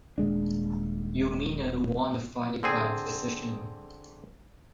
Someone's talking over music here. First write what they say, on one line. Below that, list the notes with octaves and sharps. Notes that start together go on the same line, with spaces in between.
Umeno won the fight by decision.
D#1 G#3 D4
D3 C4 G#4